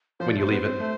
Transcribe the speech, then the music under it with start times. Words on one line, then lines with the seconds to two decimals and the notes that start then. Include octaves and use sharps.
when you leave it
0.20 F3 C5
0.29 D5
0.35 A3
0.39 C5
0.51 B3
0.66 C4
0.80 A3